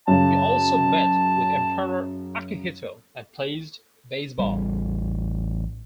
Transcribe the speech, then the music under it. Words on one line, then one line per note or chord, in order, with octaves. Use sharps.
He also met with Emperor Akihito and played baseball.
F#2 C#3 A5
A1 G3